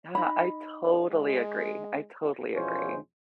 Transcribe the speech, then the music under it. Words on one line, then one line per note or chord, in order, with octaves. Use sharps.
Yeah, I totally agree, I totally agree.
D#4 B5
G#3
E2 B2 F3 G#3 C#4 C5